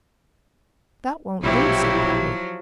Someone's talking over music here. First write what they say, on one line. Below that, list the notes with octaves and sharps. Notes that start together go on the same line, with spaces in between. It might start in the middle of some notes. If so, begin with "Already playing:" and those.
"That won't do," said Putney.
A#1 B2 F3 F#3 E4 G4